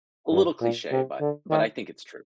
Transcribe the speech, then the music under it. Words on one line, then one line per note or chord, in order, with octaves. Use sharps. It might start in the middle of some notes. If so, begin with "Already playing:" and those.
a little cliche, but but I think it's true.
G2
A#2
C3
D3
D#3